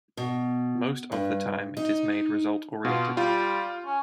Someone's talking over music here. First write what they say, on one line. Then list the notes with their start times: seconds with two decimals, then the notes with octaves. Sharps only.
Most of the time it is made result oriented.
0.17 B2
1.12 G2
1.77 D#4
2.85 B2 F4
3.17 G3 F4
3.86 C#4